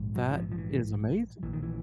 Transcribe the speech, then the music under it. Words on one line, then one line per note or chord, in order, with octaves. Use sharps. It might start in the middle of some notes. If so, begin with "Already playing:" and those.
That is amazing.
Already playing: A#1 G#2
F#3
E3
F3
F3
E3
A#1 A#2 E3
D#3
E3